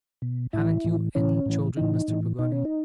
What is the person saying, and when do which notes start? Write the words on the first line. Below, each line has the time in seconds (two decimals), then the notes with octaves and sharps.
'Haven't you ANY children, Mr. Peggotty?'
0.22 B2
0.53 A2 E3 E4
0.84 A2 E3
1.15 A2 E3 C#4
1.46 A2 E3
1.77 A2 E3 D#4
2.08 A2 E3
2.39 B2 D#4
2.52 C#4
2.65 D#4